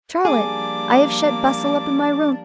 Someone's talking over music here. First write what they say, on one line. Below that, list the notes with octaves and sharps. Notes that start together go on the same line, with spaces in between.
'Charlotte, I have shut Bustle up in my room.
F3 G3 A#3 D4 G#4 D6